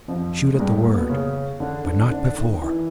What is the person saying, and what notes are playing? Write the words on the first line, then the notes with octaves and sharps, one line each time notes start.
Shoot at the word, but not before.
F2 F3
G#3
G2 G3
A2 A3
A#2 A#3
B2 B3
C#3 C#4
D3 D4
D3 D4
D3 D4
D#3 D#4
E3 E4